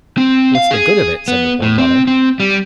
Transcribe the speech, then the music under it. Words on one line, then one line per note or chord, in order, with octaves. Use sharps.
"What's the good of it?" said the Poor Brother.
C4
F5
G#4
B3
A2
C4
C4
G3